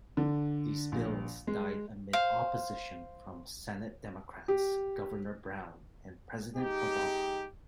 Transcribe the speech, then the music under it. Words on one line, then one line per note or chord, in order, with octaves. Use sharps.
These bills died amid opposition from Senate Democrats, Governor Brown, and President Obama.
D3
A#1
G#3
C5 F5
G4
G#3 D#4 G4